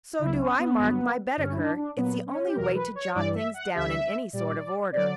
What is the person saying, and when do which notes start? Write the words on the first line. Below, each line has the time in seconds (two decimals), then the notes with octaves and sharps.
So do I mark my Baedeker; it's the only way to jot things down in any sort of order.
0.19 C#2 C#3 F#3 E4
0.35 B3
0.39 C#4
0.59 B3
0.78 G2 D3 F#3
1.37 G2 D3 G3 C#4
1.52 E4
1.57 D4
1.77 D4
1.96 A#2 F#3 B3
2.26 C#4
2.46 G4
2.56 E2 B2 F#3 A#4
2.75 B4
2.95 C#5
3.15 G2 E3 G3 D5
3.34 E5
3.54 F#5
3.74 D2 D3 G3 E5
4.33 A#2 G3 D5
4.92 D3 F#3 D5